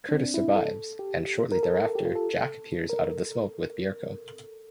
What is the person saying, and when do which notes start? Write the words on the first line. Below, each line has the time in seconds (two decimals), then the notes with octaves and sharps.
Curtis survives and shortly thereafter Jack appears out of the smoke with Bierko.
0.09 D4
0.13 C4
0.24 D4
0.34 E4
0.56 A4
0.99 G4
1.52 A#4
1.63 A4
1.74 A#4
1.84 A4
1.95 G4
2.05 F4
2.15 A4
2.90 A#4